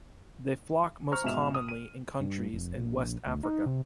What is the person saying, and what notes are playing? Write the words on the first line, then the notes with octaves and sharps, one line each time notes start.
They flock most commonly in countries in West Africa.
C5 A#5 C#6 F6
G#2 B2 E5 E7 F7
D#6
D#7
G2
F1
A#1
D2
D#4
C3